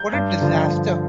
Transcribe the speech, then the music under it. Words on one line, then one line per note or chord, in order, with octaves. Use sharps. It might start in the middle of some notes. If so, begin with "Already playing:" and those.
What a disaster!
Already playing: G6
G2
D3 F3
G2